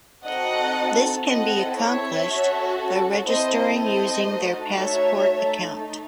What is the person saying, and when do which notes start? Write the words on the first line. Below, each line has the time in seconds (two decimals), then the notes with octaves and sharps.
This can be accomplished by registering using their Passport account.
0.25 C4 D#4 F#4 A4 D#5 F#5
1.25 C4 E4 A4 D#5 F#5
1.76 C#5 E5
2.26 C#4 F#4 A4
3.27 C4 E4 A4 C5 D#5
3.78 C5 D#5
4.28 A3 D#4 F#4 A4
4.79 C#5 E5
5.29 A3 D#4 A4